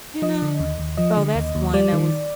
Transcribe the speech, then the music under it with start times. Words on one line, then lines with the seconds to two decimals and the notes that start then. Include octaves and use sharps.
You know? So, that's one that was
0.22 F3 D#5
0.42 D3
0.60 D#2
0.79 D#2
0.97 F3 D#5
1.17 D3
1.35 D#2
1.55 D#2
1.74 G3 D5
1.93 D#3